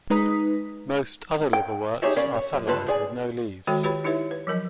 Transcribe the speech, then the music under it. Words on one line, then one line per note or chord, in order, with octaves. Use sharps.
Most other liverworts are thalloid, with no leaves.
G#3 D#4 B4 A#5 D#6 B6
G5
D#4 G4 G#4 C#5 E5
C#4 A#4 D5 F5 B5
C#5
F#2
C#2 D3 F4 A4 B4 B5
G#4 D5 G#5
D#3 G#3 F#4 A4 C#5 G5
F4 G4 B4 C#5 B5
D#4 E4 G4 B4 C#5 E5
B4
F3 F#3 A#4 D#5